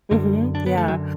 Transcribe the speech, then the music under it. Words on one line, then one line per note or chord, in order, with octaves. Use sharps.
Mhm. Yeah.
F#2 D3
D4
B3
A3
F#2 D3 F#3